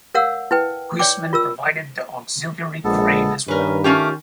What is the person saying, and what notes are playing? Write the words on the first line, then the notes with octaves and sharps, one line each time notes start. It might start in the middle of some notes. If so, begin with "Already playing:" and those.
Huisman provided the auxiliary crane as well.
A#4 C#5 F5 F#5 E6
E4 B4 G5
C#5 D5 G5 D6
F4 A#4 E6
A#1 G#3 B3 A4
G2 D#3 C#4 A#4 B4
A3 C#4 F4 G4 D6